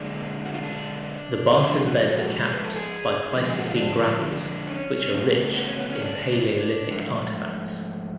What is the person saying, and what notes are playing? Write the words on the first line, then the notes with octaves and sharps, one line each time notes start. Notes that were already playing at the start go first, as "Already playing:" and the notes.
The Barton Beds are capped by Pleistocene gravels which are rich in Paleolithic artefacts.
Already playing: F#2 D3 G#3 D4
F#4
F4
D4
G#2 F3 G#3 F4
D4
F4
F#4
G#4
B4
A4
G#4
F2 D3 F3 G#3
G#4
F#4
F4
D4
C#4
F#2 C#3 F#3 A3
B3
C#4
B3
C#4
D4
G#2 F3 A3